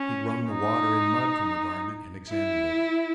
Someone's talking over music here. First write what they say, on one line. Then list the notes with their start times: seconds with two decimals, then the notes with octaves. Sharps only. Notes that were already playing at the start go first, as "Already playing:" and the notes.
He wrung the water and mud from the garment and examined it.
Already playing: C#4
0.51 D#4
2.30 E4